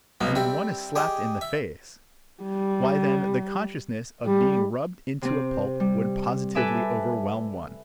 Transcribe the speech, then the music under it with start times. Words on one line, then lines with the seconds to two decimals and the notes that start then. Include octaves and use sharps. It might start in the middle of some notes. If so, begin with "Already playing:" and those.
And when one is slapped in the face--why then the consciousness of being rubbed into a pulp would positively overwhelm one.
0.21 B1 B3
0.35 G3 C4 E5
0.96 G4 G#4 D#5
1.41 E5
2.43 G3
4.26 G3
5.22 C3 C4
5.80 G3
6.55 A4 B4 E5 G#5 A5 D6